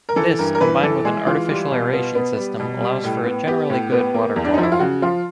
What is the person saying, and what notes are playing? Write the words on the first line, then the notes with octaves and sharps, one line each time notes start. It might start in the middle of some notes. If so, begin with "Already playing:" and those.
This combined with an artificial aeration system allows for a generally good water quality.
A#4
E3 A4
G2 A#4
A#4
E3 B4
E3 A4
G#3 G#4
E3 F4
G3
B2
B3
B3
G3
B2
G3
A2
B3
B3 G4
A2
B3
A#3
E2
D4
D#4
F3
E4
F4
C#3 F#4
F3 F4